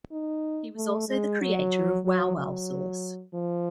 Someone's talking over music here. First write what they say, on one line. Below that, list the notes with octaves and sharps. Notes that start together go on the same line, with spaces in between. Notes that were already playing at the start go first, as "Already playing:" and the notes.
He was also the creator of Wow-Wow sauce.
D#4
A3
G#3
F#3
F#3
F#3
F3